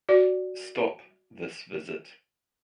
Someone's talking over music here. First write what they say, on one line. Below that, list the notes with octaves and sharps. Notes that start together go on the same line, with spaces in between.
Stop this visit.
F#4 D5